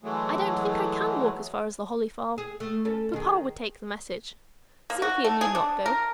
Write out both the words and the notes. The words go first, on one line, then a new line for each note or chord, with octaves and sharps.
"I don't think I can walk as far as the Holly Farm; papa would take the message; Cynthia need not go."
E3 F#3 G#3 A3
G#4
A3
C#4 A4
D#3 G#4
A#3
F#4
A3
G#4
D4
A#4